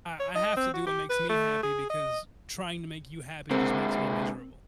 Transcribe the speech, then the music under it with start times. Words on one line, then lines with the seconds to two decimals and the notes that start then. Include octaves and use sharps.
I I have to do what makes me happy, because trying to make you happy just makes me miserable.
0.20 C#5
0.35 D#5
0.57 C4
0.73 F#4
0.86 G4
1.10 B4
1.29 A3
1.63 G#4
1.90 D#5
3.51 D3 G#3 C4 A#4